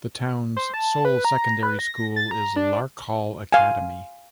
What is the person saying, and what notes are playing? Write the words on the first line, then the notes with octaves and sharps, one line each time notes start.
The town's sole secondary school is Larkhall Academy.
C5
A5
B4
A#5
B4
A#6
A6
A#5
D4
F5 G#5